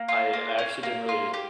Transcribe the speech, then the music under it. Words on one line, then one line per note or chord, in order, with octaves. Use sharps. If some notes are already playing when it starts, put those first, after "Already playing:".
I I actually did really
Already playing: A#3
F4
A#3
C#4
A#3
F4
G4